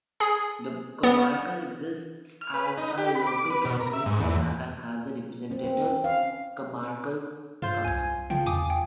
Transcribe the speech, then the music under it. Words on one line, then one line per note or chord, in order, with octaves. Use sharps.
The comarca exists as a local government area, and has a representative comarcal council.
G#4
B3
F6
B4
D#4
G4
B5
D6
B4
B2
A#4
E5
G#2
E2
C4
C4
C#4
F5
G2 F4 C5
C2 G#5 G#6
C#3 F3 G5
E2 G#5 D6 D#6
G5